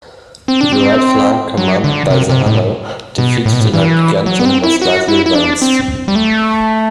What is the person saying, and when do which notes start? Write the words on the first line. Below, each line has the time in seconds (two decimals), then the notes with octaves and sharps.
The right flank commanded by the Hanno defeated in Agrigentum was slightly advanced.
0.48 C4
0.61 D4
0.73 C4
1.57 F#3
1.84 D3
2.10 C3
2.29 C3
2.46 A2
3.18 B2
3.46 A2
3.53 B2
3.60 A2
3.73 E3
4.26 F#3
4.40 B3
4.45 C4
4.63 E4
4.82 F#4
5.08 E4
5.26 E4
5.34 D4
5.62 C4
6.08 G3
6.16 A3